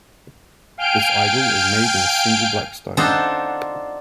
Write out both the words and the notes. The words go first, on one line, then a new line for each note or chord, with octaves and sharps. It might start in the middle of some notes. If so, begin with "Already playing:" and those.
This idol is made in a single black stone.
F5 G5 G#5 F6 G6 D7
D4 D#4 F4 A4 C5 F#5